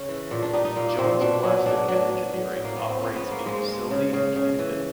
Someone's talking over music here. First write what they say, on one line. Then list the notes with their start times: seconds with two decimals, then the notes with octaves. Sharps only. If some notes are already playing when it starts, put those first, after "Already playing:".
Jones Plastic and Engineering operates a facility in Camden.
Already playing: C#3 C#4
0.09 E3
0.31 A#2
0.42 D4
0.53 G3 D#4
0.65 D#4
0.76 A#2 A#3
0.98 A#2 C4
1.21 B2 D4
1.43 F#3
1.66 B2 D4
1.88 F#3 D4
2.10 F#3
2.33 F#3
2.56 A2
2.65 A#3
2.76 A2 B3
2.89 C4
3.01 G#2 C#4
3.16 B3
3.23 G#2
3.31 A#3
3.46 G#2 G#3
3.68 G#3
3.91 C#3
4.13 C#3
4.36 C#3
4.59 E3